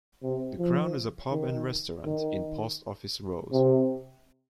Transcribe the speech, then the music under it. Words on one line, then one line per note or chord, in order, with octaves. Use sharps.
The Crown is a pub and restaurant in Post Office Road.
C3
F3
D#3
D#3
C3